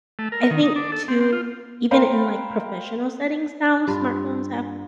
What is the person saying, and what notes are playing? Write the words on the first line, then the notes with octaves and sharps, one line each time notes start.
I think, too, even in, like, professional settings now, smartphones have,
A3
A#4
D#3
D#4
D4
A4
C4
C4
F4
A#4 C5 F5 G5 B5
G2 F4